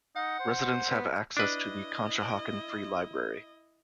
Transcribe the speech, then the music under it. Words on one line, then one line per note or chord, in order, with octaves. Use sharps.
Residents have access to the Conshohocken Free Library.
D#4 F#5
C5
B3
D4 E4 B4 D#5